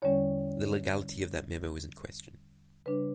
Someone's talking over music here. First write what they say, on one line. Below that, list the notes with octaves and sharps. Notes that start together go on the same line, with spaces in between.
The legality of that memo is in question.
E2 D3 G3 C#4 C#5
C#3 G3 D4 B4